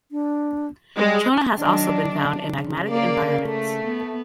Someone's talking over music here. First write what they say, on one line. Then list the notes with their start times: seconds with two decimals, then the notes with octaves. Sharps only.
Trona has also been found in magmatic environments.
0.12 D4
0.97 G3 G#3
1.58 D#3 F#3 D4
2.49 C#3
2.90 A#3 D5
3.46 A3
3.85 B3